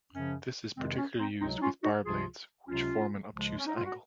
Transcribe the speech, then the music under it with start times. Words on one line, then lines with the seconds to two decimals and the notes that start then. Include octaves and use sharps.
This is particularly used with bar blades, which form an obtuse angle.
0.13 F#2 C#3 F3 C#4
0.77 F2 C3 D#3 G#3 C4
0.98 C#4
1.19 C4 D#4
1.40 C#2 C3 F#3 C4 D#4
1.58 D#4
1.62 C#4 F4
1.83 D#4 F#4
2.04 C#2 C3 F3 F4 G#4
2.68 C#2 C3 F#3 C#4 F4
3.32 C#2 C#3 F3 G#3
3.58 C#4
3.67 D#4
3.76 F4
3.85 F#4